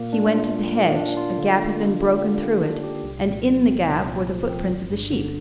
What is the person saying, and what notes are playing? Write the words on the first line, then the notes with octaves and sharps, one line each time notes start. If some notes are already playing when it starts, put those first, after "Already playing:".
He went to the hedge; a gap had been broken through it, and in the gap were the footprints of the sheep.
Already playing: A#2 A#3
D4
F4
A#2
A#3
D4
F4
D3
A#3
D4
G4
D3
A#3
D4
G4
C2
A#2
F3
C4
C2
A#2
F3
C4
G1
G2
D3